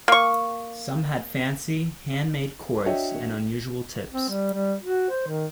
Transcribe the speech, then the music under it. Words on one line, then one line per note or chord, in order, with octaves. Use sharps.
Some had fancy, hand-made cords, and unusual tips.
A#3 C#6
D4 F#4 C#5 D#5 E5 G5
C4
G3
G3
F#4
C5
D#3